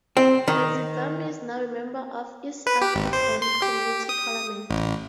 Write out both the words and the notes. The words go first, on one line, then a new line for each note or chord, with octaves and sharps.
Bazivamo is now a member of east african community parliament.
C4
D#3
B4
G4
G#1
C5
C6
G4
D#6
A1